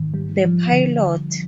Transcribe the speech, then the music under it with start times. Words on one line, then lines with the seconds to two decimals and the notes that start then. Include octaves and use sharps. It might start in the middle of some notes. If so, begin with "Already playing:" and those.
The Pilot.
Already playing: G#2 D#3
0.14 G3
0.44 F3
0.72 D3